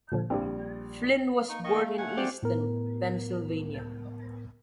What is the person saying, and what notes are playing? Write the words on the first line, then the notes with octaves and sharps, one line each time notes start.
Flynn was born in Easton, Pennsylvania.
A#2 D3 F3
A#1 G3 C4 D4 G4
A#3 D#4 F5 C#6
D#3 D#5 C#6
A3
D#2 A3 F#5 G#5
C4 F4 G4 D5
A2 B3 A#4